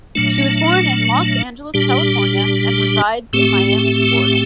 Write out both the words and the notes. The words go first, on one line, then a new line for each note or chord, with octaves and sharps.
She was born in Los Angeles, California, and resides in Miami, Florida.
A#2 F#3 A3 D4
A#2 G3 D4 G4
A2 A3 C4 G4